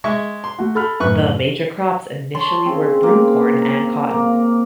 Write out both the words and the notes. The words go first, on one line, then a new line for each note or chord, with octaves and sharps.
The major crops initially were broomcorn and cotton.
G#3 E5 C#6
C6
A3 F#4
A4 B5 F6
F#2 A2 B4 C#6 F#6
C#5 A5 C6
C#3 C4
A#3
A#5
A#3